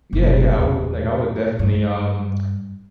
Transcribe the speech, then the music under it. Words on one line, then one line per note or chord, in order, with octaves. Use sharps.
Yeah, yeah, I would, like, I would definitely, um,
F#1 B1
E2
G2